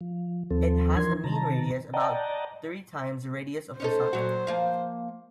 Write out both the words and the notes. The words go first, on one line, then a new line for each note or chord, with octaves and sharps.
It has a mean radius about three times the radius of the Sun.
F3
D#2 F3 C4 A4
E3 F3 D4 A#4 C6 G#6
C3 D#3 A5 A#5
D5 D#5 F#5 G5 A5 A#5
C#4 D#4 A4 C5
A#2 F#3 F#4
F3 A#3 F5